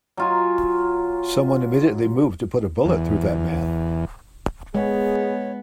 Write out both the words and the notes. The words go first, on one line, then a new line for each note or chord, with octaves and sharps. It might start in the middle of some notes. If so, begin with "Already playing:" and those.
Someone immediately moved to put a bullet through that man.
F#3 F4 G#5
E2
G#3 B3 G#4 C#5